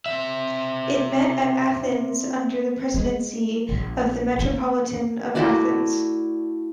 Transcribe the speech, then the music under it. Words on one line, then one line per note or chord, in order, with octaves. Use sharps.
It met at Athens under the presidency of the Metropolitan of Athens.
C4 E5
G#3
A#1
A#3
A3 E4 F#4 D5